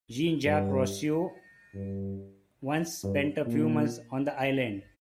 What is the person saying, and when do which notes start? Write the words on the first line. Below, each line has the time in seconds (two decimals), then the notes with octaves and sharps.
Jean-Jacques Rousseau once spent a few months on the island.
0.46 G2
1.74 G2
3.03 G2
3.46 A#2